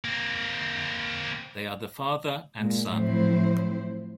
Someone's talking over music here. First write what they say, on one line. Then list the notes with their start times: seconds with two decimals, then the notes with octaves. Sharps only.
They are the Father and Son.
0.05 A#3 C4
2.58 A#2 G#3
2.89 A2 F3 F#3 C4 E4 C5